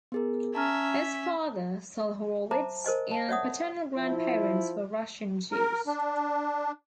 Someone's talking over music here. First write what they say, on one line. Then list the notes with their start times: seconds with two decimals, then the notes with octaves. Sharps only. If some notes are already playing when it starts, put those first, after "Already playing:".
His father, Sol Horowitz, and paternal grandparents were Russian Jews.
0.12 B3 G#4 A#4
0.55 C#4 E5 A5 A#5 F6
1.02 B6
2.51 C5 E5 A5 A#5 D6
2.85 A#4 C5 D#5 G#5
3.11 A5
3.28 C#5 D5 E5 F#5 D#6
3.96 F3 E4
5.52 A#4
5.87 D4